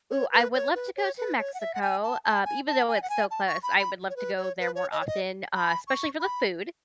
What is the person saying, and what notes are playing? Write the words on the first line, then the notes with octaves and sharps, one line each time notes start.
Ooh, I would love to go to Mexico, um, even though it's so close, I would love to go there more often, uh, especially for the food,
C#5
B4
C#5
B4
C#5
B4
C#5
F#5
E5
F#5
G#5
A5
A5
G#5
A5
G#5
F#5
G#5
A5
C#6
B5
B5
C#5
B4
C#5
B4
C#5
D#5
C#5
D#5
B5
C#6
B5